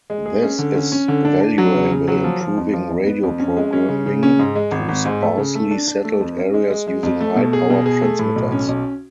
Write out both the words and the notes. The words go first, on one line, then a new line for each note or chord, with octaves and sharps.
This is valuable in proving radio programming to sparsely settled areas using high-powered transmitters.
G#3
G#4
C#4
D3
C#4
C#4
D3
D4
D4
F#3
C#3
C#3
F#3
F3
F3
F2
F3
F2
B3
F2
C#4
G#3
C#4
C#3
C#3
C#4
G#2
G#3
G#1
G#1
G#2
A3
C#3
A3
D4
D4
A3
F2
C#4
G#3
G#3
G#3
F2
A3
B2
G#4
B2
G#4
A3
A2
B1
C#4
B1